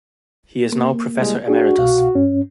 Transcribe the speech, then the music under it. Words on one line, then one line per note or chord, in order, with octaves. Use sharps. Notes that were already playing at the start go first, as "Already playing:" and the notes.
He is now professor emeritus.
A#3
C2 G2 G#3
D4 F#4 G#4
C2 B2 F5
G2 C#4